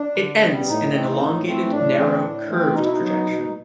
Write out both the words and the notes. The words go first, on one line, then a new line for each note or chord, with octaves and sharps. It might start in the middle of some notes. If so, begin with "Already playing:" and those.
It ends in an elongated, narrow, curved projection.
Already playing: D4
D3
G3 B3
A2 D#4
E3 A3 C4
A2
E3 A3 C4
A2 D4
E3 A3 C4
A2
E3 A3 C4
B2 D#4
E4
D#4
F#3 B3
B2